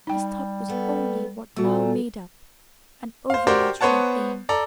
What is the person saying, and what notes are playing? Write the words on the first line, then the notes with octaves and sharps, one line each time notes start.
His thought was only what now made up an overmastering aim.
G3 D#4 G5
A3 B3
A#2 G3 A3 F#4
C5 F5
F#4 G4 A#4 C5 D5 G5
B3 C5 C#5 F#5 A5
A4 D5 A#5